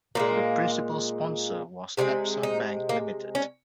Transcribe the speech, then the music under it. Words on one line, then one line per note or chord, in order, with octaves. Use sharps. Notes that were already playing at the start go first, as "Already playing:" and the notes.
The principal sponsor was Absa Bank Limited.
A#2 F3 G#3 A#3
C3 D#3 G#3 C4
D#4
A#3
C#4